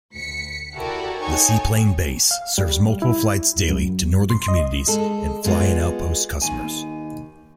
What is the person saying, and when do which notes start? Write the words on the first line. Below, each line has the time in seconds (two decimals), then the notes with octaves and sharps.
The seaplane base serves multiple flights daily to northern communities and fly-in outpost customers.
0.15 D2 B6 C#7
0.77 E4 F#4 G4 A4 A#4 D5
1.20 D#4 A4 C#5 G5 G#5 C#6
2.31 F5
2.58 G3
3.02 E4
3.69 F#2
4.30 C6
4.48 D#5
4.87 G#3 A4
5.44 G#3 B3 D#4 F4 F#4
6.41 D#2 G#5